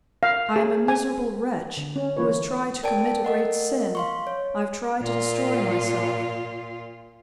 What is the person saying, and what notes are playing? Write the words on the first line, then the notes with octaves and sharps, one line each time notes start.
I am a miserable wretch who has tried to commit a great sin--I have tried to destroy myself.
F5
G#4
G#5
D3
C#4
E3 A#3 F4 B4 C#5
A#4 D5 G5 A5 D7
A#4 D#5 F#5
F5 C6 C#6
C#5
A#2 F4